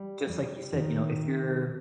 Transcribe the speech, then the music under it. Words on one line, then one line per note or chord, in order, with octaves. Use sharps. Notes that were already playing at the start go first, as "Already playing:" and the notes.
just like you said, you know, if you're
Already playing: G3
G3
D#3